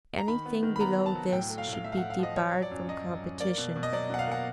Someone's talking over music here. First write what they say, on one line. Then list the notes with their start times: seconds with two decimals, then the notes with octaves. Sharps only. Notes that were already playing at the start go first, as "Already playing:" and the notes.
Anything below this should be debarred from competition.
0.18 A#5
0.28 D#3 B5
0.46 B3
0.63 D#3
0.76 B5
0.80 B3 A#5
0.97 F#3
1.06 A5
1.15 F#3
1.32 A2 G5
1.50 A3
1.58 F5
1.67 A2
1.73 F5
1.84 A2 E5
1.92 F5
1.97 F#5
2.02 A2
2.10 F5
2.19 F3 D#5
2.37 F#3 C#5
2.54 F#3
2.62 D5
2.71 F#2
2.88 F#3 D#5
3.06 F#2
3.23 F#2
3.40 A#3 D5
3.58 B2
3.76 B2
3.83 D#5
3.93 F#3 D5
4.10 B2 F#5
4.19 F5
4.27 A#3 F#5